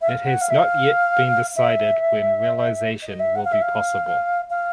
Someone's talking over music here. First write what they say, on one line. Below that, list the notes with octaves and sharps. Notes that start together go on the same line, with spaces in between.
It has not yet been decided when realization will be possible.
E5
F5
F#5
F5
E5
F5
E5
D#5
E5
F#5
F5
E5
F5
F5